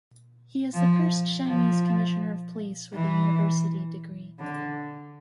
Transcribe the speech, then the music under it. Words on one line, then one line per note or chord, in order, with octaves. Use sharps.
He is the first Chinese Commissioner of Police with a university degree.
F3
F3
E3
D3